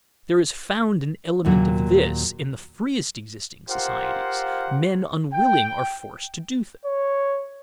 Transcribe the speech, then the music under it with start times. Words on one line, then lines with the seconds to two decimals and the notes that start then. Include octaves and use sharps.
There is found an element of this in the freest existing societies; men unwilling are forced to do things.
1.45 D#2 A#2 F#3
3.70 F4 G4 A#4 C5 F5 F#5
5.33 G5
6.86 C#5